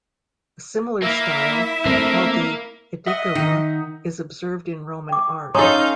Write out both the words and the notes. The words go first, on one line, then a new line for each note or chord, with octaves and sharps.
A similar style, called the Aedicula, is observed in Roman art.
A#3 E4 E5
A3 A#3 C4 D4
D#5 E5 F#5 D#6
D#3 D#4
G5 D6
C#4 D#4 A4 F5 A#5 C6 D#6 G6